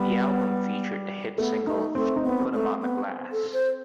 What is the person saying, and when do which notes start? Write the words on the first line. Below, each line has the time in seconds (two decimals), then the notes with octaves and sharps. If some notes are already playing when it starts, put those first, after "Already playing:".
The album featured the hit single Put 'Em On The Glass.
Already playing: G3 B3
1.38 A3 B3
1.67 A3 D#4
1.95 A3 C4
2.16 D#4
2.24 B3 C4
2.53 A3
2.81 B3
3.32 A4
3.53 C5